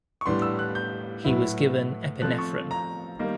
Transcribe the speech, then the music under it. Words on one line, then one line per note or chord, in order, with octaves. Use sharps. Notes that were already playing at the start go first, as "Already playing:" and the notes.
He was given epinephrine.
C#6
A2 E3 G3 B3 D4 C6
E6
F#6
G6
A2 F#3 B3 E4
F3 A3 C4 F#6
C#6
A#5
D#3 G3 A#3 D#4